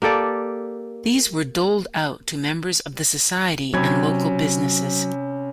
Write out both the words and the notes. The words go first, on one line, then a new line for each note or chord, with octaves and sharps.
These were doled out to members of the society and local businesses.
A#3 G4 A4 D5
C3 F#3 C#4 B5 G#6